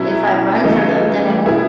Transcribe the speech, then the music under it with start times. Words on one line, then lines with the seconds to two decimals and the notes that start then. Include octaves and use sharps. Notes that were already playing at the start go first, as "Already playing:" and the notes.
if I run from them, then I won't
Already playing: B2 F#3 C#4 E4
0.64 C#3 E3 A3 D#4
1.46 B2 G#3 B3 E4